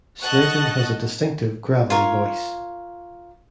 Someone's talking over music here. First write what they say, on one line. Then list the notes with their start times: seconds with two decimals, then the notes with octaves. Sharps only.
Slayton has a distinctive gravelly voice.
0.22 D#5 F#5 A5 C#6 F#6
1.90 F4 A#4 C#5